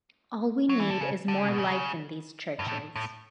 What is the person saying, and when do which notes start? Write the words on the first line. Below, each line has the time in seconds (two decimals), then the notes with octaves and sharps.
All we need is more life in these churches...
0.69 F#3
0.80 E3
0.90 D3
1.00 C#3
1.28 D3
1.38 C#3
1.48 B2
1.58 C#3
2.59 G2
2.68 A2
2.96 A2